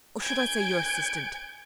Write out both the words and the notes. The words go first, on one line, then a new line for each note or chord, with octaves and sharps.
Or should I say your assistant?
G#5 G6 G#6 D7